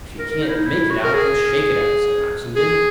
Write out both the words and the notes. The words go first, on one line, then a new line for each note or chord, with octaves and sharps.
"If you can't make it out, then shake it out," said Oxenden.
A#4
A#4
D#4
E4
D#4
E4
F#4
A#4
G#4
G#4